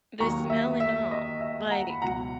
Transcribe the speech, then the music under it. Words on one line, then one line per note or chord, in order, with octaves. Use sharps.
The smell and all, like
D#2 D#3 F#3 A#5 C#6
E5
E5
D#5
E5
F#5 A#5
B5
C#2 B2 F#3 F#5 A#5